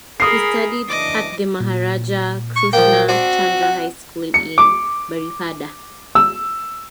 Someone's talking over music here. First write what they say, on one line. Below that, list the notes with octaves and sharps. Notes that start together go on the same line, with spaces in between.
He studied at the Maharaja Krushna Chandra High School in Baripada.
G#4 A#4 B5 D#6 C7
F#1 E3 D4 D#5 D6
A#2
C#6
F3 A#3 G5
C4 D4 F#4
F#5
C#7
D6
E6